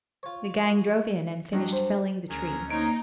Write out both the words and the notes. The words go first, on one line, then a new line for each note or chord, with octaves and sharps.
The gang drove in and finished felling the tree.
F4 C#5
G2 F#3 D#5 G5
C5
D2 C#4 G#4 A#4
A#3 D#4 C5 C#5